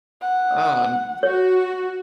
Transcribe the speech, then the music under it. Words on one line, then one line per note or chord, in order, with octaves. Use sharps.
Oh n
F#5
F#4 C#5